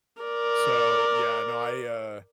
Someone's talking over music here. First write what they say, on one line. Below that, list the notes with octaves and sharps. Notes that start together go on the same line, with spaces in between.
So yeah. No, I, uh,
A#4 D5